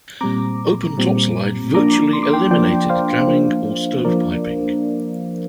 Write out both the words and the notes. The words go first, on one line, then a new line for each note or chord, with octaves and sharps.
Open top slide virtually eliminated jamming or stovepiping.
A#2 G3 C4 A#5 D6
A#2 G3 C4
F3 A#3 D4 A#5 D6
C6
D6
G5 C6
F3 A#3 D4 D5 G5
C5 F5
F3 A#3 D4
F3 A#3 D4 A#4 D5